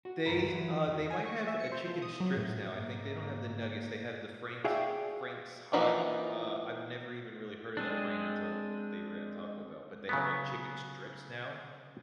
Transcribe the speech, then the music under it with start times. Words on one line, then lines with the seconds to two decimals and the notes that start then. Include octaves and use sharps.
They, uh They might have a chicken strips now. I think they don't have the nuggets. They have the Frank's Ho Frank's Hot, uh, I've never even really heard of that brand until they were at Taco Bell, but they have, like, chicken strips now.
0.05 F#4
0.26 C#2 G2 A#4 B4
0.46 E3 F#3
0.86 E2
1.10 G#5
1.25 C#6
1.47 E5
1.60 C#7
1.72 C5
1.87 F3
2.02 D#6
2.20 F#3
2.37 A2
2.71 G#2 A#3
4.64 F#4 G#4 D5 E5 F5 G5
5.73 E3 F3 A#3 D#4 F#4
7.77 G#3 C4 D4
10.09 C#3 F#3 B3